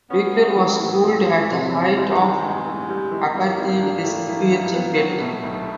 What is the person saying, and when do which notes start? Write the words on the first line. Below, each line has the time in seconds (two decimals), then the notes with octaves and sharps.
Duiker was schooled at the height of Apartheid; this influenced him greatly.
0.10 B3 C#4
0.33 A3
0.56 E3
0.79 A2
1.02 E2 B3
1.18 A#3
1.26 F3
1.34 A3
1.50 C3 G#3
1.65 F#3
1.73 E2
1.81 G3
1.96 G3 G#3
2.19 D#3
2.41 G2
2.65 A1
2.89 G3
3.12 E3
3.34 G2 A#3
3.58 G#1
3.81 D4
4.04 A3
4.28 E3
4.51 G2
4.74 B3
4.97 F#3
5.20 B2 A3
5.43 B1